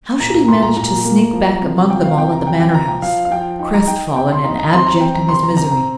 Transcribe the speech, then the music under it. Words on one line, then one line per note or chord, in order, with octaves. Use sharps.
How should he manage to sneak back among them all at the Manor House, crestfallen and abject in his misery?
A#2 A#5
A#5
A#2 C6
A#5
A#2 A#5
A#3
F3
C3
F3 G5
F5
C3 G5
A#5
F3 G5
G5
F3 A#5
G5
F3 F5
F5
F3 G5
D#4 G5
A#5
D#4 G5
C3 G5
C6
D#4 A#5
A#5
C4 C6
A#5
C4 G5
A#5
C3 C6
A#5
C4 A#5
A#5